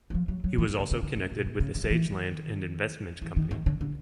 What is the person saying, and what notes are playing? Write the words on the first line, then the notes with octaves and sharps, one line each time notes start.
He was also connected with the Sage Land and Investment Company.
F#3
F3
F#3
F#3
E3
D#3
D3
C#3
D3
C#3
B2
B2
C#3
D3
F3
E3
D#3
E3
D#3
D#3
D3
D3